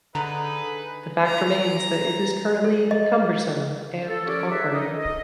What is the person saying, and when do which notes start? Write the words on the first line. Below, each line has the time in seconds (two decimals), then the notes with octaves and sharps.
The fact remains that it is currently cumbersome and awkward.
0.15 D3 D#4 G#4 B4 A#5
1.26 A#5
2.64 A4
2.91 D#5
4.08 A4
4.26 C#4 G4 A4 A#4 C#5 D5
4.50 D#4 G#4 B4 C#5 D5 E5
4.72 C#4 D#4 A4 A#4 D#5
4.98 D#5